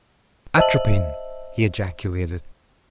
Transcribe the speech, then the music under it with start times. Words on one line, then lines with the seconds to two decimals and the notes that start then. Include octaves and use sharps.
"Atropin!" he ejaculated.
0.57 C5 D#5 E5 A5 E6 F#7